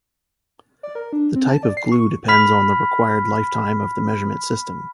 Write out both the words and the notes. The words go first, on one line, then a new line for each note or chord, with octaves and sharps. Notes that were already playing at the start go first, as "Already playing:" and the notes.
The type of glue depends on the required lifetime of the measurement system.
D5
A#4
D4
C4
A5
D5
C7
C#6
B5 F6 B6